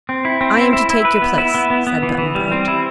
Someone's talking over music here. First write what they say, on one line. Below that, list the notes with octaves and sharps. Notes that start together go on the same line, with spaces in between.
"I am to take your place," said Button-Bright.
C4
E4
C4
E4
E4
E4
B4
B3
E4
B3
B3
B3
E3
E3
G3
C4
E4